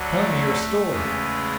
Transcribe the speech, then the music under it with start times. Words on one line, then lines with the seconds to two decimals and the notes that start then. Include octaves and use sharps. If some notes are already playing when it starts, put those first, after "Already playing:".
Tell me your story.
Already playing: D2 D3 F#3
0.13 A3
0.89 E2 C#3 E3 G#3